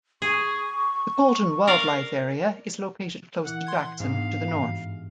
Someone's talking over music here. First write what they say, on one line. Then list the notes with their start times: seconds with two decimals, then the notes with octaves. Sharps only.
The Coalton Wildlife Area is located close to Jackson to the north.
0.22 G#4 C#6
1.67 A#4 D5 F5
3.45 A#2 E3 E4 F#5
3.67 C6 G#6
4.00 G#2 B3 D4 F5
4.48 G2 E3 F#4